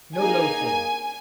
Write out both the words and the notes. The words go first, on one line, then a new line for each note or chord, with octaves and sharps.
No loafing!
A#3 D#4 G#4 G#5